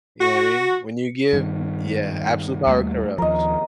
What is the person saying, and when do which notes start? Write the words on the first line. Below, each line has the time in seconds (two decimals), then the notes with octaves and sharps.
You know what I mean? When you give yeah, absolute power corrupts.
0.21 F#4
1.33 G2 D#3
2.67 D#2 G3 A3
3.18 D#2 F3 A#4 D#5